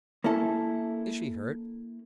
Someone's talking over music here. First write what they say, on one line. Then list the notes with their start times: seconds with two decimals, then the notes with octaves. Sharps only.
"Is she hurt?"
0.24 A#3 C#4 E4 A4